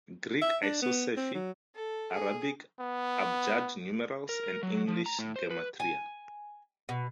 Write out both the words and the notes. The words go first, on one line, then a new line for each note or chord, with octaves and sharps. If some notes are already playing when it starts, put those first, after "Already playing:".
Greek isopsephy, Arabic abjad numerals, and English gematria.
E5
D4
B3
C4
F#3
A4
G#4
B3
A#4
F#3
F3
A#5
A2
C5
B4
G#5
B2